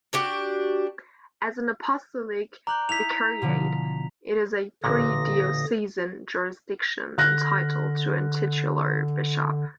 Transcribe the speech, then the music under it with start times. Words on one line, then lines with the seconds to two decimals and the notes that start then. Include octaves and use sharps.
As an apostolic vicariate, it is a pre-diocesan jurisdiction, entitled to a titular bishop.
0.13 D4 F#4 G4
2.67 D5 A#5 F#6 G6
2.89 D#4 E4 B6 F7
3.42 B2 D3 F3
4.84 A1 A#2 D3 D#6 A#6
7.18 D3 F6 F#6 A#6